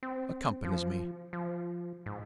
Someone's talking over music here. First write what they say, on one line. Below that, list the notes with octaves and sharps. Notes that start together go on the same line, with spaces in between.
'Accompanies me.
C4
F3
F3
G#2